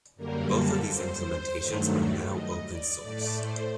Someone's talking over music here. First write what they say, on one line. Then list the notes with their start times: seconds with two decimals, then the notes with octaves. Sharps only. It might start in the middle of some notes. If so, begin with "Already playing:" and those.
Both of these implementations are now open source.
0.16 F#2 D3 G3 A#3 A#4
0.51 A4
0.87 C5
1.58 G2 D#3 F#3 A3
2.29 D#5
2.65 D5
3.00 A2 A3 D5
3.36 C5